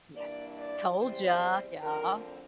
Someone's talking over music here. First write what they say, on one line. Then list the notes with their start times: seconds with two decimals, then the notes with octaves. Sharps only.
Yes. "Told ya." Yeah.
0.14 G2 E3 A#3 D4 D5
0.56 D5
0.98 E2 C3 E3 G3 C4 C5
1.81 D2 D3 F3 C4 A#4